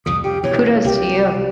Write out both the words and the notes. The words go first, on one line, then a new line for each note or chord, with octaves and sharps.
Kudos to you,
C2 F2 C#3 D#6
C#3 G4
B2 E3 C#5
C2 G4